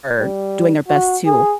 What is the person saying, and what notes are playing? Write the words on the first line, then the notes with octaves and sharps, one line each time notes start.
are doing their best to
G3
F#4
G#4